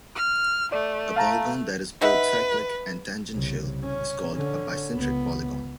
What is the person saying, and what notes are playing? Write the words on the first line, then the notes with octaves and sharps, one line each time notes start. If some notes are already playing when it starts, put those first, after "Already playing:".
A polygon that is both cyclic and tangential is called a bicentric polygon.
F6
A3 D5
F5 A5 A#5
D#4 B4 E5 F#5
C2 C#3
C#4
D3 C#4
C#2 B3